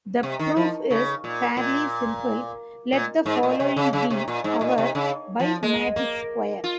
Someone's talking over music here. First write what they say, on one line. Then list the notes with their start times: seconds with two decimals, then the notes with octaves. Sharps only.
The proof is fairly simple: let the following be our bimagic square.
0.23 C3
0.39 D#3
0.56 F3
0.90 C#3
1.24 A#2
1.57 A#2
2.92 A#2
3.26 G#2
3.43 A#2
3.60 C3
3.76 C#3
3.93 C#3
4.10 C3
4.28 A#2
4.44 G#2
4.61 A#2
4.78 C3
4.95 C#3
5.40 F3
5.63 G#3
5.96 A#3
6.64 F4